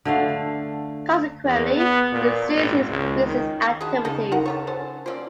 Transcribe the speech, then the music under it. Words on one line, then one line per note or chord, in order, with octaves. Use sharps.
Consequently, he ceased his business activities.
D3 A3 F5
E2
B3
A#2
G#1
C#2
D#3
G#3 F4 F#4 G#4 A5 B5
C#3 D#4 G#4 A4 A5
D#4 F4 A#4 F#5
D3 F4 C#5 A5
F#3 C#4 C5
A#3 C4 C#4 F4 C5 D5